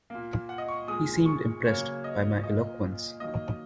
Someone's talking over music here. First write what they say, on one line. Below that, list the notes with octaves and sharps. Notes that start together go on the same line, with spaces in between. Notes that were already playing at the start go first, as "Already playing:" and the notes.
He seemed impressed by my eloquence.
A#2 A#3
F#5
D#5
C#6
A#2 G#3 D#6
C#6
C#3 F#3 A#3 C#5
D#5
A#2 A#3 D#5
D#3 F#3 A#3 D#5